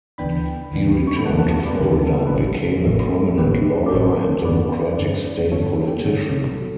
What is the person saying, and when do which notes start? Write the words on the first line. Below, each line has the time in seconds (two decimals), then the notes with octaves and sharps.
He returned to Florida and became a prominent lawyer and Democratic state politician.
0.18 D2 C#3 E3 B3 D4 G5 B5
0.72 D2 C#3 E3 B3 D4
1.07 C#6
1.16 B5
1.25 D2 C#3 E3 B3 D4 F#5 A5
1.38 F#5 A5
1.66 B4 D5
1.79 D2 C#3 E3 B3 D4 G4
1.91 A4
2.06 A4
2.19 A4
2.27 B4
2.31 A1 A2 F#3 C#4 A4
2.85 A1 A2 F#3 C#4
3.38 A1 A2 F#3 C#4 G4 B4
3.86 D5
3.92 A1 A2 F#3 C#4 A4 C#5
4.44 G2 D3 G3 C#4 B4 D5
4.98 G2 D3 G3 C#4
5.52 G2 D3 G3 C#4 A4 C#5
5.69 A4
5.87 G4
6.05 G2 D3 G3 C#4 A4
6.59 C#3 F#3